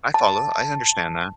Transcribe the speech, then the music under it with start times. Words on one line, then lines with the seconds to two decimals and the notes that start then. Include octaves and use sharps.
I follow. I understand that.
0.14 A5